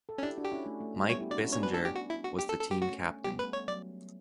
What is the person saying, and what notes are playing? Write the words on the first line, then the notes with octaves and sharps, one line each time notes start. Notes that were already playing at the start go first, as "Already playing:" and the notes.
Mike Bissinger was the team captain.
A4
C#4
D4 E4 G4
D4 F#4
G4
C#4 E4
A3
A3
A3
G3 B3 C#5
E4 G4
D4 F#4 D5
C#4 E4
B3 D4 C#5
B4
A4
G4
F#4
E4
F#4
G4
A4
A4
G4
A3 C#4 F#4
G3 B3 G4
A3 B4
C#5
F#3 D5